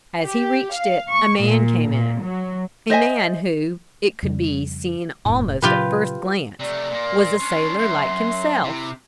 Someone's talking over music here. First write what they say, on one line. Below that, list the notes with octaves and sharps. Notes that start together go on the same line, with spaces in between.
As he reached it a man came in; a man who, it could be seen almost at first glance, was a sailor like himself.
G4
F5
C#6
A#2
A#2
F#3
C5 D#5 E5 G#5
F2 C#3 G3
E1 F#2 A2
A#2 C#3 F#3 F4 G4 B4
C3 A3 D5
A#2 A#3 C6
C#4 D4
F#2 E5
C3 E4